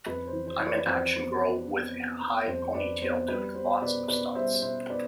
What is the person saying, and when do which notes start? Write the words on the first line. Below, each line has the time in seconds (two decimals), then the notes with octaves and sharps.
I'm an action girl with a high pony-tail doing lots of stunts.
0.06 F2 B4
0.27 C5
0.33 E3
0.47 C5
0.60 E3
0.67 B4 D5
0.86 F2 C5
1.14 B3
1.40 B3
1.67 B3
1.94 B3
2.21 B3
2.47 F2 C5
2.74 F2 B4 D5
3.02 B3 C5
3.28 G3 B4
3.55 B3 C5
3.81 B2 B4 D5
4.08 B2 B4 D5
4.35 G3 C5 E5
4.62 B2 C5 E5
4.89 B3 B4 D5